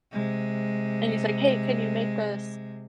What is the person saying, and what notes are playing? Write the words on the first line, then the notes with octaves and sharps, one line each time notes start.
and he's like, "Hey, can you make this,"
C3 G#3